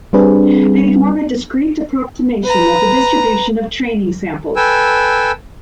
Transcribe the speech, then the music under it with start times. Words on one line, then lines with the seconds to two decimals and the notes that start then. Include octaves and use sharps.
They form a discrete approximation of the distribution of training samples.
0.13 G3 C4 D4 G#4 B4
2.44 B4 A#5
4.56 A4 B4 G5 G#5 E6